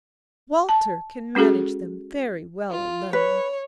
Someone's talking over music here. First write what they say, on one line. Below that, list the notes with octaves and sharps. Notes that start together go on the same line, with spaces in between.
Walter can manage them very well alone.'
A5
G#3 C#4 F#4 G#4 A4
F4
B4 C#5